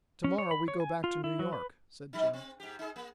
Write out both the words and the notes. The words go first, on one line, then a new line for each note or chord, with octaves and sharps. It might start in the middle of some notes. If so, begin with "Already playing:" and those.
"To-morrow we go back to New York," said Jim.
C#4
C#5
B5
C#5
G#5
F4
E4
F#3
B4
G#2 F#3 D#4
C4
G#2 G4
D#4 G#4
A#3